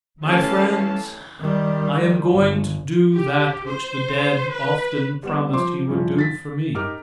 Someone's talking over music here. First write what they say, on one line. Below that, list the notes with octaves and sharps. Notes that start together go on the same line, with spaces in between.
My Friends: I am going to do that which the dead often promised he would do for me.
E3 A3 C#4 G4 F5 A5
D#3 G3
G1
G4
C5
B4
G3 B3 E7
F3 C5 C6 D6
G2 E3 F3
A6 B6
D#4 G4 A#4 D6 F6